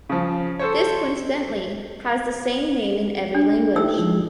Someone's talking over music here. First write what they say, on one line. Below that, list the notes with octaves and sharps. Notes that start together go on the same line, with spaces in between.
This coincidentally has the same name in every language.
C#3 F3
A4 C5 C#5
D4
A3 D#4 E4 G4 E6
F3 G#3